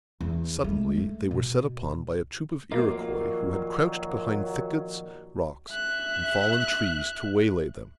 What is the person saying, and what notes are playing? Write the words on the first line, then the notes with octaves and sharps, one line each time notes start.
Suddenly they were set upon by a troop of Iroquois, who had crouched behind thickets, rocks, and fallen trees, to waylay them.
E2
G#3 A3
A3
B2
A#2 D#3 F3 F#3 A#3 F4
E5 F#6